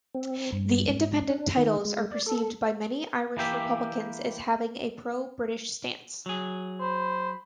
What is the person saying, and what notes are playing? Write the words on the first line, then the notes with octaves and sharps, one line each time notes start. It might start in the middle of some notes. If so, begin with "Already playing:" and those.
The "Independent" titles are perceived by many Irish republicans as having a pro-British stance.
C4
G2
G#2
D4
D#3
G#3
D5
A4
E3 A#3 G4 E5
F#3 G#4
C5 B5